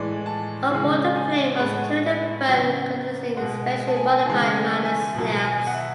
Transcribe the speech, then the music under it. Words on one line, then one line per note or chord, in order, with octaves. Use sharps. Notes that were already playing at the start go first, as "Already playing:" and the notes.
On board the flame was carried and burned continuously in specially modified miners lamps.
Already playing: A2 E3 G#3 D5
A5
C#3 E3 G#3
G#5
C#5
A2 G#3 B4
C#3 F#3 D5
B2 G#3 F#5
F#5
A5
G#5
G#5
C#3 E3 G#3 A5
A5
G#5
G#5
B2 F#3
G#5
F#5
E5